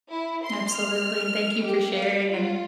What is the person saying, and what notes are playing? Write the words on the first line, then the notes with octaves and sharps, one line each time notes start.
Absolutely, thank you for sharing, and
E4
C6
F6
G4
F5
F4